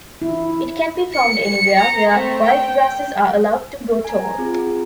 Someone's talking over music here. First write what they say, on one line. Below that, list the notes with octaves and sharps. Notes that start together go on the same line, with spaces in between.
It can be found anywhere where wild grasses are allowed to grow tall.
E4
C#7
C#7
A#5
A3 C4
G5
G#5 A#5
C4 F4 G#4